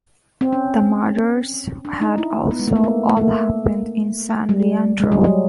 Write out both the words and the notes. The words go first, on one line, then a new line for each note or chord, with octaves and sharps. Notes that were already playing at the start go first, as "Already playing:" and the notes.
The murders had also all happened in San Leandro.
C4
C#4
D4
D#4
E4
B3
G#3
A3
A#3
B3
A3
A#3
G3
G#3
G3
F#3